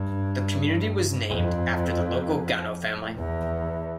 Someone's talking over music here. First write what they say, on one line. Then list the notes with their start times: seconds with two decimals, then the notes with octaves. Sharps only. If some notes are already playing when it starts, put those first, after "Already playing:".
The community was named after the local Gano family.
Already playing: G2
1.29 F2
3.14 E2